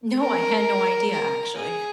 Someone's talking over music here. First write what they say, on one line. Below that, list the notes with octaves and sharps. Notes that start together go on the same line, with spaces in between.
No, I had no idea, actually.
A#4
A#4
G#4